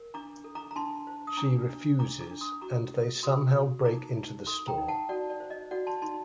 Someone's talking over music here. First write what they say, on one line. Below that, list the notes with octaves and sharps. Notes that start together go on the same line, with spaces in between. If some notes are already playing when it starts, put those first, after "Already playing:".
She refuses and they somehow break into the store.
Already playing: A#4
D4 A#5 D6
A4
A#5 D6
A#5
D4 A5 C6
C5
D#6
D4 A#5 D6
D4
D4 A#5 D6
A#5 D6
D4
C6 D#6
F#4 A#5 D6
A4
F#4 C6 D#6
F#4
D#4 A#5 D6
D#4
A4 C6 D#6
G5 A#5
D#4
F#5 A5
F#4 D5 F#5
D5
C5
D#5
F#4 D5 F#5
A5 C6
D#4 A5 C6